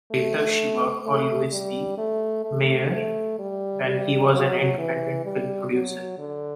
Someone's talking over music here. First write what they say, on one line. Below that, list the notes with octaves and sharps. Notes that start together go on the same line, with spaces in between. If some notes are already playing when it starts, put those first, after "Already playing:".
Later she worked for Louis B. Mayer when he was an independent film producer.
A3
A3
G3
A3
A3
A3
G3
G3
F#3
E3
G3
F#3
D3